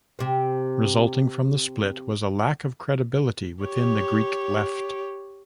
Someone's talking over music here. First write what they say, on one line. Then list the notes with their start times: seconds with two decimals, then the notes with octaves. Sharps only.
Resulting from the split was a lack of credibility within the Greek Left.
0.19 C3 C4
3.63 G4 C#5